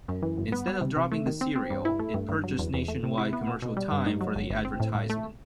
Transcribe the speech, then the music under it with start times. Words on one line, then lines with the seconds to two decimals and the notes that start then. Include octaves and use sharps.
Instead of dropping the cereal, it purchased nationwide commercial time for the advertisement.
0.08 F#2
0.23 E3
0.38 G1
0.52 B3
0.67 G3
0.81 C3
0.97 C3
1.12 A3
1.26 D#3
1.41 C4
1.55 C4
1.70 G2
1.85 E4
2.00 A3
2.14 G2
2.29 G2
2.44 F#3
2.59 E2
2.74 E2
2.88 A3
3.03 C3
3.18 E4
3.33 B3
3.47 B2
3.62 B2
3.77 G3
3.92 G2
4.06 D#4
4.21 F#3
4.36 G1
4.50 G1
4.65 C4
4.80 A2
4.95 A2
5.10 A3